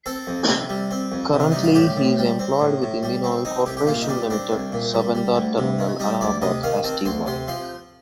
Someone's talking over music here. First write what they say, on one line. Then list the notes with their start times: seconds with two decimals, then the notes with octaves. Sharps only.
Currently, he is employed with Indian Oil Corporation Limited, Subedar Terminal, Allahabad as Dy.
0.06 C4 A4
0.27 F2
0.48 C3
0.69 G3
0.91 C4
1.12 F2
1.33 C3
1.40 D4
1.52 G3 D#4
1.64 F4
1.75 A2 G4
1.96 A2
2.18 G3
2.39 C4
2.60 A2
2.82 A2
3.03 G3
3.24 C4
3.45 C4 D#4
3.66 C2 G4
3.77 G4
3.87 A#2 F4
4.02 D#4
4.08 G3 D4
4.30 C4 D4
4.52 C2
4.72 A#2
4.94 G3
5.15 G3
5.36 D2
5.58 C3
5.79 D#3
5.99 G3 D#4
6.21 D2 D5
6.42 C3 D#5
6.63 D#3 F5
6.84 C4 A5
7.05 D2 C6
7.26 C3 C6
7.48 F3 C6